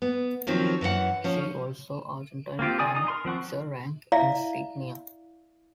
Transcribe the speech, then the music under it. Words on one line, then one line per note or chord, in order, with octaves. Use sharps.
See also "Argentine Army officer rank insignia".
B3
D#3 F3 F#3 C4
F#2 E3 A#4 F#5
F3 C#4
A#3 C4 F4 G4
D3 D5 G#5 D#6
D#4 D#6
A#4 C6
F3 C4 F#5 C#6
E4 D5 E5 F5